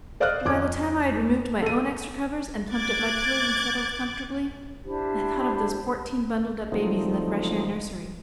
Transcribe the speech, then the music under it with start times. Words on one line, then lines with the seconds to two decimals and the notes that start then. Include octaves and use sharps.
By the time I had removed my own extra covers and plumped up my pillow and settled comfortably, I thought of those fourteen bundled-up babies in the fresh-air nursery.
0.20 C5 D5 D#5 F5 F6 F#6
0.45 F2 D6 G#6
1.62 A4 D#7
2.72 D6 F#6 G#6 A6
4.83 D4 E4 G4 C5
6.72 D3 F3 F#3 A3 C4 D#4